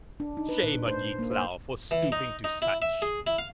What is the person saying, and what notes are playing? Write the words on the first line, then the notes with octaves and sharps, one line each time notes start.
Shame on ye, Klow, for stooping to such!
D4
D#4
B4
A#2
D4
C5
A#3
C5
E3
D#4
D#4
E4
E5
G#4
E4
F5